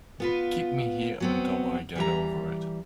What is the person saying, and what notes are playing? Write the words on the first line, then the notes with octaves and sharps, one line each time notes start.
Keep me here until I get over it.
B3 F4 B4
F#3 B3 C4
E3 G3 A#5